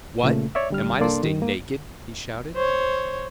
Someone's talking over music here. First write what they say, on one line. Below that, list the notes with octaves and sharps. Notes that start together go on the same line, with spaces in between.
"What, am I to stay naked?" he shouted.
A#2 C#3 A3
C#5 D5 E5
D3 G3 F6
C2 A#3 D4 A4 D5 C6
D#3
A#3
C5 C#5